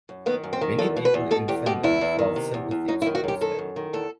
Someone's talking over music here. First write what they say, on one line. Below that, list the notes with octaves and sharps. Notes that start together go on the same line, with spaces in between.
Many people in Finland felt sympathy towards them.
F#2
D#3 B3
F#2
C4
D#3
E2 A4
B2
B4
E2
B2 A4
E2 G4
B2 G4
E2 E4
E2
D#3
C3
E2
E2
F#2 D#4
E4
D#3
F#4
F#2 G4
D#3 A4
F#2
D#3
E2 A4